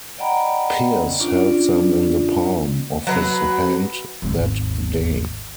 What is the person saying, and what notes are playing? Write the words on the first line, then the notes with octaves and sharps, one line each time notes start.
Pierce held them in the palm of his hand that day.
D5 D#5 F#5 G5 A#5 B5
C#4 D4 F4 D5
F#3 B4
G#1 D#2